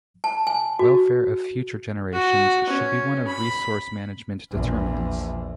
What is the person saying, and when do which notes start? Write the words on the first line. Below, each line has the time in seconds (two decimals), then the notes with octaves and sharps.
Welfare of future generations should be one of resource management determinants.
0.24 A5
0.47 G#5
0.79 F#4
2.13 F#4
2.70 C#4
3.27 B5
4.50 A#1 E2